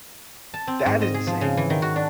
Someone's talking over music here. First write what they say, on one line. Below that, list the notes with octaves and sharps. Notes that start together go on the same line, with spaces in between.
That is insane.
A5
C4
G#2
D#5
G#4
F3
C#3
E3
D#3
F#4
D4